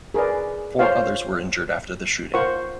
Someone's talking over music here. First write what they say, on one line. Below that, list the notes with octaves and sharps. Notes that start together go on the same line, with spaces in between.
Four others were injured after the shooting.
G#4 A#4 B4 D5
F4 C5 C#5 F5
F4 A#4 C5 F#5 C#6